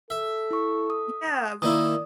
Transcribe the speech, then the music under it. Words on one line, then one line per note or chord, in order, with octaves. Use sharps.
yeah, b
A4 E5
E4 C#6
D#6
D#3 A#3 E4 D5 D#6